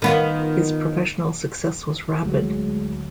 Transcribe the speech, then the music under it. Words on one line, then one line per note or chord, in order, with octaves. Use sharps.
His professional success was rapid.
D#3 B3 F4
D2 F#3 G#3